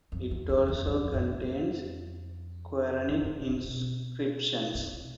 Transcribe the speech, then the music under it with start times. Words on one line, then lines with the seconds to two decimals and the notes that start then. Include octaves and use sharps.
It also contains Qur'anic inscriptions.
0.12 F2
0.31 E2
0.49 E2
0.68 E2
0.87 F2
1.14 A2
1.42 F2
3.08 F2
3.22 G#2
3.36 B2
3.50 C3
3.64 B2
4.75 C3